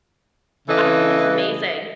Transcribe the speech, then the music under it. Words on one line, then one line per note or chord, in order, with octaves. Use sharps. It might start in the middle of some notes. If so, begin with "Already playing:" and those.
I think it's amazing.
C#3 E3 A4 B4 D#5